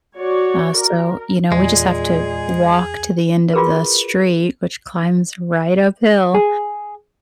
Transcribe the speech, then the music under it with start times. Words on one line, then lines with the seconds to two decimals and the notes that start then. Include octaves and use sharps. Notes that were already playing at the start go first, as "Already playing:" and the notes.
Uh, so, you know, we just have to walk to the end of the street, which climbs right uphill,
0.17 F#4 C#5 D5
0.77 A#4
1.52 E2 A#2 G#3 G#4
3.53 F4 F#4 G#4 A#4 B4
6.35 G#4